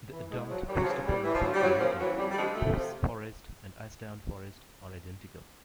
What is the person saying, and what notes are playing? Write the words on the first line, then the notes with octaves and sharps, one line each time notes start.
The adult Christopher Robin commented: "Pooh's Forest and Ashdown Forest are identical".
E3
A2 G#3
F3 F#3
D#2 G3
F#3
F3
C#3 E3 F#3
A2 G3
E3
F3
D2 F#3
G3
C#3 E3 F#3
D#2 F3
C#3 E3 F#3
F2 G3
G3
D3 F3 G#3
D2 A3
C3 F3